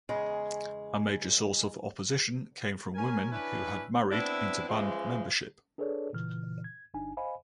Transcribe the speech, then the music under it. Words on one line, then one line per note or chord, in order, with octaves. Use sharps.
A major source of opposition came from women who had married into band membership.
E2 C#3 G#3 G#4
C#4 A#4 G#5
C#4 D4 E4 B4
B3 C4 D4 E4
C#3 E3 F3 G#3
D4 G#4 A4 B4 C#5 D5
A#2 C#3 E3 F6
G#6
G1 D4 D#4 G#5
C5 D#5 F5 G#5 B5